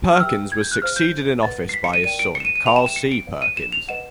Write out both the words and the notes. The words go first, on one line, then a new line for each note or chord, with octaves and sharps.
Perkins was succeeded in office by his son, Carl C. Perkins.
F6
G4 B4 E5 G5 E6
G#6
G6
F#6
G#4 C5 F5 F6
G6
B4 D#5 F#5 A6
C7
B6
C#7
D#7
A#4 D5 G5 D#7
D7
C#7
E7
D#7
D#7
G#4 B4 E5 G5 F7
E7
E7
C#7
D7
B4 D5 F5
D#7
E7
F7
B4 D#5 F#5 E7